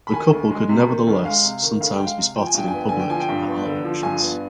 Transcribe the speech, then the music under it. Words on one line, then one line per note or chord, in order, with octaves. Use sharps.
The couple could nevertheless sometimes be spotted in public at art auctions.
B5
D#3 G#5
D2
G#3
C3
D#3
D2
G#3 F5
C3
D#3
D2 F5
G5
G#3
F5
C3
F3 G5
G#5
G2 G5
G#5
B3
G5
D3 G#5
G5
F3 G#5
G5
G2
B3
D3
F3
G2 G#5
B3